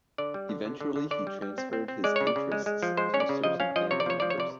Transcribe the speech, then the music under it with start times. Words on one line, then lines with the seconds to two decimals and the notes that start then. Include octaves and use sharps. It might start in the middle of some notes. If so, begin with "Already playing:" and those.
Eventually he transferred his interests to certain family members.
0.18 D3 D5
0.34 G3
0.49 D3
0.65 D3
0.80 D3
0.96 D3
1.11 D3 D5
1.27 G3
1.42 G3
1.58 C4
1.73 C4
1.88 C4
2.04 G#3 D5
2.16 C#3 C#5
2.27 D5
2.36 C#3
2.52 G#3
2.66 G#3
2.83 F3
2.97 G#3 C5
3.14 C#4 C#5
3.20 D5
3.29 C#3
3.44 F3 D#5
3.60 C#4 F5
3.76 F3 D#5
3.91 C3 C#5
4.00 D5
4.06 F3 C#5
4.20 F3 D5
4.30 C#5
4.38 C3 D5